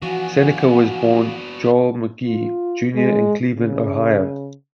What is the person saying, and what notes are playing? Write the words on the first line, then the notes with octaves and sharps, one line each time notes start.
Seneca was born Joel McGhee, Junior in Cleveland, Ohio.
E3 F3 B3 D4 F#4 F5 F#5 G#5
F4
G#3
C#3